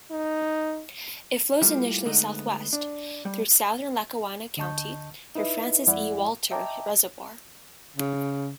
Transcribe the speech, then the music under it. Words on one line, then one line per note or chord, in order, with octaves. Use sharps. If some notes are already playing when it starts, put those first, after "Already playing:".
It flows initially southwest, through southern Lackawanna County, through Francis E. Walter Reservoir.
D#4
G3 A3 A#3 E4 F4 G4
D3 G#3 A3 B3 D#4
D4
G3
D2 D3 D#5 A5 C#6 G6
D#4 E4 B4 D#5 E5
F2 G#3 E4 D5 F#5
D#5 E5 G5 A5 A#5 D6
C#3